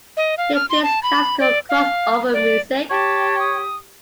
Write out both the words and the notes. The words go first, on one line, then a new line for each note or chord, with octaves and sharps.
He plays classical crossover music.
D#5
F5
F6
C6
A5
B5
D5
F5
D5
G4 C#5 A5
D#6